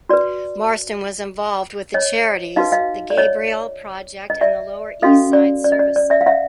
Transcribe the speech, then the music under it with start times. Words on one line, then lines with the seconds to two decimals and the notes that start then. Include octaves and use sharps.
Marston was involved with the charities The Gabriel Project and Lower Eastside Service Center.
0.09 F#4 B4 D5
1.94 C#5 D#5
2.56 D#4 F#4 B4 D#5 F5
2.72 D#5 F5
3.10 D5
3.18 C#5 D#5
4.30 D#5
4.41 D5 E5
5.02 C#4 F#4 A4 D#5 F5
5.33 D5
5.64 D5
5.72 D#5
5.79 D5
5.96 D5
6.10 D5 E5
6.21 F5
6.26 E5 F#5